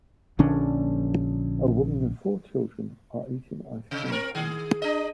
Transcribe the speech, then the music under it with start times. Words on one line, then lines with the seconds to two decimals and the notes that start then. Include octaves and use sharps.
A woman with four children are eating ice cream cones.
0.39 A#1 D3 C#4 D4
3.91 C3
4.12 C4 A#4
4.35 D#3 G#4
4.82 D4 D#5